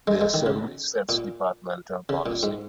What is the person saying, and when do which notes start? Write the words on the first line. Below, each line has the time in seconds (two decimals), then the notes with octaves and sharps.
The Assembly sets departmental policy.
0.07 G#3
0.21 G#3
0.34 D#3
0.46 C#3
1.09 A#2
2.09 C#3
2.26 A#2
2.43 G#2